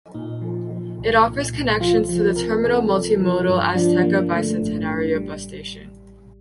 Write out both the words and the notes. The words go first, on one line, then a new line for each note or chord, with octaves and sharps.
It offers connections to the "Terminal Multimodal Azteca Bicentenario" bus station.
A#2 D#4
F3
F3
C2
A#2
C2
F3 F4
F3
C3 A#4
C3 A4
F3
F3
G2
F3 D4
F3 A#3
D3 A3
A1
A1
G3